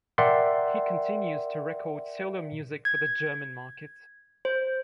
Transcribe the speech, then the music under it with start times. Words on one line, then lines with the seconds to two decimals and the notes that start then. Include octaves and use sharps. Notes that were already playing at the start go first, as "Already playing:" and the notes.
He continues to record solo music for the German market.
0.18 A#4 D5 E5 F#5 G5 C6
2.85 G#6
4.45 C5